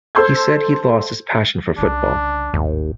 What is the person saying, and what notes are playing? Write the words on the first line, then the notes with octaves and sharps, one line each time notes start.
He said he lost his passion for football.
A4 C5 C6 E6 G6 G#6
C2 C#3 D4
G#1 D#2 A2